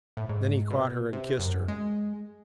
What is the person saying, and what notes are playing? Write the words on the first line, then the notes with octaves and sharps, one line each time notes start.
Then he caught her and kissed her.
A2
G#2
B2
C3
F#2
G#3